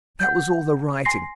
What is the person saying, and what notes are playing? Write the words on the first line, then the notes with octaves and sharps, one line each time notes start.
That was all the writing.
F#5 G6
G#5 C6 A#6 C7